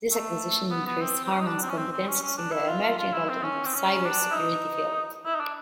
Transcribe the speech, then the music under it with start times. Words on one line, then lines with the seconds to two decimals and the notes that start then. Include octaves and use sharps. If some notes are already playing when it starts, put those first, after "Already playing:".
This acquisition increased Harman's competencies in the emerging automotive cyber-security field.
0.11 A3
0.71 B3
0.86 B3
1.02 C4
1.24 C4
1.32 C#4
1.40 D#4
1.47 D4
1.62 C4
1.70 C#4
1.77 C4
1.92 C4
2.08 C#4
2.22 C#4
2.38 D4
2.52 E4
2.68 F4
2.83 F4
2.99 F4
3.13 E4
3.29 C4
3.43 C#4
3.65 C4
3.75 C#4
4.05 D4
4.31 E4
4.34 D#4
5.25 E4
5.35 D#4
5.40 D4